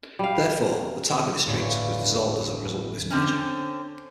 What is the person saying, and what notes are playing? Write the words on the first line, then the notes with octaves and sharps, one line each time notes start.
Therefore, the Taga District was dissolved as a result of this merger.
G3 F5
G1 E2 A2 A#3 C#5 D5
D3 C4 C#4